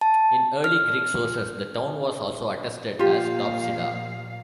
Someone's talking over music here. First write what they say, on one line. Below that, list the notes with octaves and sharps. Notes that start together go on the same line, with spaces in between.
In early Greek sources the town was also attested as Topsida.
A5
F6
A#2 F3 F4 G4 F5